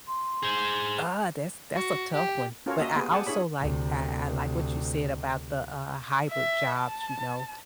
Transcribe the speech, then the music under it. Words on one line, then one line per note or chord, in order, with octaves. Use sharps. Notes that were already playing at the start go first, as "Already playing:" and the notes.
uh, that's that's a tough one. But I also like I I like what you said about the, uh, hybrid jobs, you know?
C6
G#4 C5
F#4
G4
C#4 F4 F#4 A4 A#4 C#5
A#3 F#4 D#5 E5
A#3 B3 G4 G#4
G4 G#4 D5 F#5 G#5 A5
D4 E4 G#4 C#5 B5
D2 C3
E5
A5